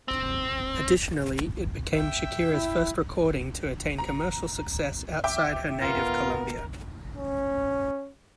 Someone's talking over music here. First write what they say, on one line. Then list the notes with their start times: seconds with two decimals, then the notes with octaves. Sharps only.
Additionally, it became Shakira's first recording to attain commercial success outside her native Colombia.
0.08 C4
1.94 E5 G5
2.48 E4
3.98 A#5
5.24 E5 G5 D6
5.81 B3 F4 A#4
7.16 C#4